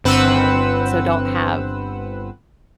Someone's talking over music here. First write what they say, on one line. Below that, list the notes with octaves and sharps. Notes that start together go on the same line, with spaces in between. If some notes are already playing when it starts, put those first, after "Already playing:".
um, so don't have,
G1 C4 B4 C5 F#5 E6